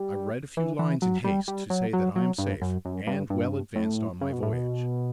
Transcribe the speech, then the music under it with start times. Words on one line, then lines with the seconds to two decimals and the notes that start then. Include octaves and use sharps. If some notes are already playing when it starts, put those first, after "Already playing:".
I write a few lines in haste to say that I am safe--and well advanced on my voyage.
Already playing: G3
0.57 E3
0.79 E3
1.02 F#3
1.24 G3
1.48 G3
1.70 F#3
1.93 F#3
2.16 F#3
2.38 G2
2.62 F#2
2.85 F#2
3.07 G2
3.30 G2
3.75 A2
4.21 C#3
4.33 B2
4.43 A2
4.53 B2